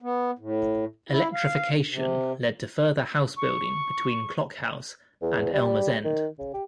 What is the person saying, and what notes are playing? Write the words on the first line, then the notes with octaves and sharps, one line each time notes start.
Electrification led to further house building between Clock House and Elmers End.
B3
A2
E4
F5
C3
C#6
E2
G3
D#3
C#3
G4